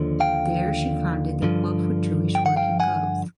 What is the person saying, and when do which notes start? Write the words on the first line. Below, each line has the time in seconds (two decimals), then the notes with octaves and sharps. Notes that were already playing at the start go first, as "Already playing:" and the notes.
There she founded the Club for Jewish Working Girls.
Already playing: D#2 D3 F3
0.20 F5 G5
1.42 G2 D3 F3
2.35 G5
2.46 F#5
2.56 F5 G5
2.80 F#5 G#5